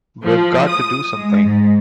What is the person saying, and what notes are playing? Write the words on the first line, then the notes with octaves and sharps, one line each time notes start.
We've got to do something!
F3
D#6
G#3
G#2